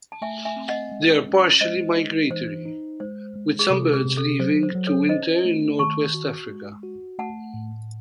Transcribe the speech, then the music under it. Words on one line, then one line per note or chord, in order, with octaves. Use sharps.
They are partially migratory, with some birds leaving to winter in northwest Africa.
A5
A3 E5 G#5
E5 G#5
C4
D#5 F#5
G#3
C#4
G#3 C5 D#5
D#4
E3 C5
D#4
G#3 C5
G#3
G#4
C3 A4
G#4
C3
A4
F#3 C5
C5
F#3
A4 C#5
C#4 C5 D#5
A3
D#3 A5 C#6
F#4
G#3
F#4
A3 F#5 A5
A2